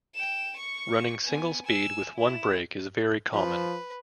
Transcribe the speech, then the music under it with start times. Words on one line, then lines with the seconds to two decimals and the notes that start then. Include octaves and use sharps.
Running singlespeed with one brake is very common.
0.15 G5 E7
0.56 C#6 C#7
1.25 B3 G#5
1.64 G#5 E6
2.16 E4 E7
3.33 F3 B4